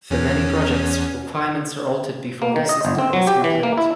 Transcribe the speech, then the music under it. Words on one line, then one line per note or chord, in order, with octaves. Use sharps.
For many projects, requirements are altered before the system is complete.
E2 C#4
A#3
D#3
D#5
G1
C4
F#3
G4
E3
A#3
E4